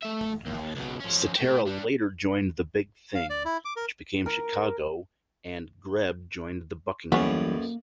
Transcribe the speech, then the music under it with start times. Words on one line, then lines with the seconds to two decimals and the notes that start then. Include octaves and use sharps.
Cetera later joined The Big Thing, which became Chicago, and Grebb joined The Buckinghams.
0.02 A3 E5
0.46 D#2
0.76 C#2 B2
1.00 F3 C#4
1.36 A3 G5
1.67 G3 D4
3.15 F5
3.30 D5
3.45 E4
3.65 D6
3.76 A#4
4.26 A#4
7.12 B1 F#2 E3 F#3 G3 A#3 B3 C#4